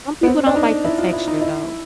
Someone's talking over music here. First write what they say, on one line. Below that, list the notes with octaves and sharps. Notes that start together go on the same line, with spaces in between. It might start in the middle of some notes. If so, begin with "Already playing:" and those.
some people don't like the texture though,
B3
C4
D4
D#4
E4
F4
E4
D#4
E4